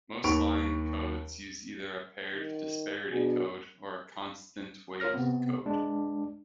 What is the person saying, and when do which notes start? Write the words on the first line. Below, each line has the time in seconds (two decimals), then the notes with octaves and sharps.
Most line codes use either a paired disparity code or a constant-weight code.
0.24 D#2 D#3 B5 C#6 D7 F7
2.33 D#3
3.11 B2 D4 F#4 G#4
5.00 F4 A#4 C#5 F6 A#6
5.14 C3 B3 C4
5.66 G#3 D4